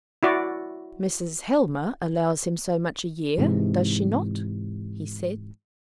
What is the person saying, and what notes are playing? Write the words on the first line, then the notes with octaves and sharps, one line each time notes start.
"Mrs. Helmer allows him so much a year--does she not?" he said.
E4 F#4 D5
G#2 C3 E3 G#3